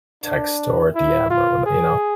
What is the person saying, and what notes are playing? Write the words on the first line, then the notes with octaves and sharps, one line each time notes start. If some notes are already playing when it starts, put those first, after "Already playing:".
text or a DM or w you know?
D4
E4
F4
G#4